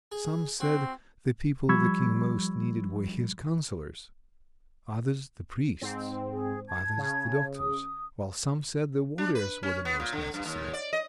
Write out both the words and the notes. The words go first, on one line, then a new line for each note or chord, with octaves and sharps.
Some said, the people the King most needed were his councillors; others, the priests; others, the doctors; while some said the warriors were the most necessary.
G#4
C4 F#4
F3 G3 B5 C#6 E6 G#6
G#2 C4
G#4
A5 G#6
C#3
D#6
D4
B4
C#4
B3
A#2
D3
G2
D#2
D5
D#5